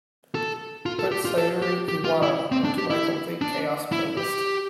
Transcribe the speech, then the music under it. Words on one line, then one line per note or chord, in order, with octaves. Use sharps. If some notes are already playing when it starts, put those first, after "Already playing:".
Put Sayuri Iwata onto my complete chaos playlist.
A4
F4
A4
G4
F4
A4
G4
G4
F4
E4
C4
D4
G4
E4
D4
E4
G4